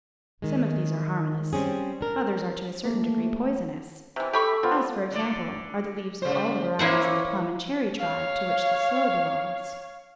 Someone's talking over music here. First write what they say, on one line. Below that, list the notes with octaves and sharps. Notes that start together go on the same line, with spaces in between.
Some of these are harmless, others are to a certain degree poisonous; as, for example, are the leaves of all the varieties of the plum and cherry tribe, to which the sloe belongs.
D#3 G#3
G3 C4 C#4 G#4
D4 A#4
G3 A3 A#3
C3 E3
G4 A4 B5 C#6
B3 C4 F4
D3 D5
C#3 C5
E3 A#3 C#4 E4 C5 F#5
C#5 F5